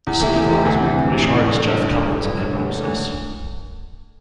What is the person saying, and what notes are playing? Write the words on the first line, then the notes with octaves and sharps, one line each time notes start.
The sleeve-art is by British artist Jeff Cummins and Hipgnosis.
E2
E3 A3 E4 G4
E2
E3 A3 E4 G4
D2
C3 E3
D2
C3 E3
A1
G2 D3
A1
G2 D3
G1
G2 D3
G1
G2 D3
E1
D2 D3
E1
D2 D3